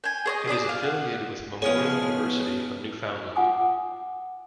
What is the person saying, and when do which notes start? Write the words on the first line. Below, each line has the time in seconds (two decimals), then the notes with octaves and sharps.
It is affiliated with Memorial University of Newfoundland.
0.04 G5 G#5
0.26 G#4 C#5 D#5
0.47 G#4 D5 B5 D6
0.69 F5
0.83 F#5
1.62 F3 G#3 B3 C#4 G#4 F6
3.36 F4 F#5 G#5 D6 D#6